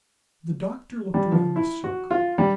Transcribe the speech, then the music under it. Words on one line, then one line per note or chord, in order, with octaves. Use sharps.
The doctor looked around the circle.
G3
F3
E4
F#4
F4
G3